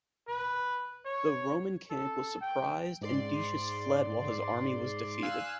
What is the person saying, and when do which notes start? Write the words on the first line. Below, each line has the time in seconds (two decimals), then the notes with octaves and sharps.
The Roman camp was surprised and Decius fled while his army was defeated.
0.28 B4
1.05 C#5
1.91 A4
2.41 G5
3.01 G#2 D5 C6
5.23 F5 G#5 E6 F#6